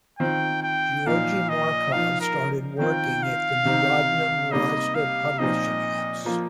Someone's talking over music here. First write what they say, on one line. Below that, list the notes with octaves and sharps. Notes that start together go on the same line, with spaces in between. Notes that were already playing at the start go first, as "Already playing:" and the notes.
Georgi Markov started working at the Narodna Mladezh publishing house.
D#3 C4 F4 G5
G5
A#2 F3 D#4 F5
D#5
F3 D#4 F5
A#4
D#3 C4 F4 G5
F5
C3 D#3 C4 D#4
C3 G3 A#3 D#4 D#5
F5
A#2 F3 C4 D#4 D#5
F3 A#3 F4